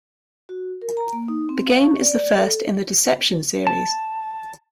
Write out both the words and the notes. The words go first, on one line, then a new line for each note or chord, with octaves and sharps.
The game is the first in the "Deception" series.
F#4
A#4
A#5
A#3
D#4
C4
F5
C#4
D5
D5
A4
A5